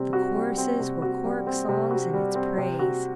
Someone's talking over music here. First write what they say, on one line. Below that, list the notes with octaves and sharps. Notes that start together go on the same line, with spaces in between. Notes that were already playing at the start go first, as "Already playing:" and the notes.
The choruses were choric songs in its praise.
Already playing: C3 G3 C4
F#4
G3
C4
C3
F#4
G3
C4
C3
F#4
G3
C4
C3
F#4